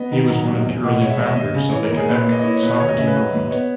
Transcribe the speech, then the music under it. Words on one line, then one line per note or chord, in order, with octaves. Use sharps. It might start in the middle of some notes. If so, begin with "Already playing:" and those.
He was one of the early founders of the Quebec sovereignty movement.
Already playing: B3 D#5
D#3
F#3
D#2
E2
B2
G#3 C#5
E5
E2 D#5
E5
D#2 D#5
C#3
E3 C#5
A#4
D#2
G#4
A#2 B4
C#5
A#3 D#5
D#5
E4 C#5
C#5
A#2 B4
D#2 C#5
D#5
C#3 E5
B4
F#3 D#5
D#2
B3 C#5